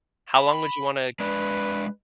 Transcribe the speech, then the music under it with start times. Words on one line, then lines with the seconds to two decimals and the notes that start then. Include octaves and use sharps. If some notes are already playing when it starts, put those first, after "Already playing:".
How long would you wanna
0.35 B5
1.20 G#3 D4 B4 D5